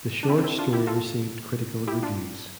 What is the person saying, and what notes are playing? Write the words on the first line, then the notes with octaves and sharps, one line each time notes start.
The short story received critical reviews.
D4
C4 E4
D4
C4 E4
D4 F4
E4 G4
F4 A4
E4 G4
D4 F4